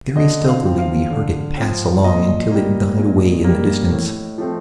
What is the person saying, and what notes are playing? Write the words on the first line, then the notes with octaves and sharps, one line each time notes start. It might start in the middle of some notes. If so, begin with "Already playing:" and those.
Very stealthily we heard it pass along until it died away in the distance.
D3 D#5
F5
F3 C4
F5
D3
F3 C4
A#2 D#5
G3 A#3
A#2
G3 A#3
A2
F3 A3 C4